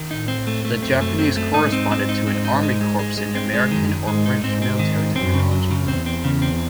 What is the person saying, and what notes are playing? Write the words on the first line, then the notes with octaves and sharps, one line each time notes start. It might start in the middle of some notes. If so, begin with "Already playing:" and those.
The Japanese corresponded to an army corps in American or British military terminology.
Already playing: D#3
A2 D#4
C4
A3
A3
F#2 C4
A3
C4
A3
G#2 D#4
C4
C4
D#4
C4
D#4
G#3
G#3
G#3
G#3
C4
G#3
F#2 D#3
D#3
G#2 G#3
D#4
G#2 C4
C4
D#3
C4
F#2 C4
C#3
F#3
C#3
E2 C4
C4
C#3
C4